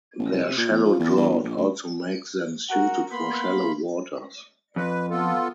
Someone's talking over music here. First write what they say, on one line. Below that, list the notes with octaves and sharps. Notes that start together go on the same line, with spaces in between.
Their shallow draught also makes them suited for shallow waters.
A1
C2
C3
A#2
E2
F3
E2
E2
G1
A#1
D2
F#4 A#4 F#5
A#3 B3 B5 C6
F2 B4
B3 F4 A4